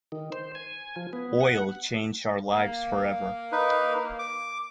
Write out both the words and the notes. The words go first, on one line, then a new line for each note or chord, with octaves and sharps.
Oil changed our lives forever.
D#3
C5
G#5
F3
B3
F#5
A#3
D#4 B4
D6